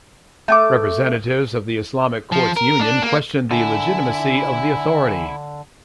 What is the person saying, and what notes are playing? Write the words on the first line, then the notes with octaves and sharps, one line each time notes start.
Representatives of the Islamic Courts Union questioned the legitimacy of the authority.
A3 G#5 D6
F3
A#4
D4
A#3
D3 E4 E5 G#5